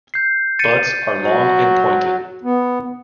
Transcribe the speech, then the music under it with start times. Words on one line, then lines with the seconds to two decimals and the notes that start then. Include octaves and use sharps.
Buds are long and pointed.
0.14 G6 C7
0.59 A6 C#7 D#7
1.21 F#3
2.44 B3